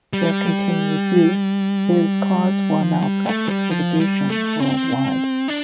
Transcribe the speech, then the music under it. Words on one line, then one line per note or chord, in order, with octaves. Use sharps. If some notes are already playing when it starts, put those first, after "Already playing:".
Their continued use is cause for malpractice litigation worldwide.
G3
F3
G3
A3
G3
F3
G3
A3
C4
D4